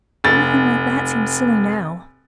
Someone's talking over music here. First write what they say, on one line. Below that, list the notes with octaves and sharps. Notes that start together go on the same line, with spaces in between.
Anything like that seems silly NOW.
F1 A6